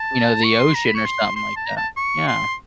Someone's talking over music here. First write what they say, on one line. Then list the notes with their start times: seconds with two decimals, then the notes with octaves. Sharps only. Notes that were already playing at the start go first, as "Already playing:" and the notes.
you know, the ocean or something like that, yeah.
Already playing: A5
0.44 C#6
0.59 C6
0.75 A#5
0.85 B5
0.95 C#6
1.05 C6
1.36 C6
1.56 A5
1.66 A#5
1.77 A5
1.97 C#6
2.28 C6